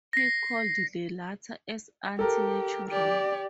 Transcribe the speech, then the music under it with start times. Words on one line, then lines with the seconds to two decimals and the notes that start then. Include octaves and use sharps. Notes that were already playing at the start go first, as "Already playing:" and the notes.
He called the latter as anti-natural.
0.13 A#6 C7
2.19 G4 A4 A#4
2.89 G4 D5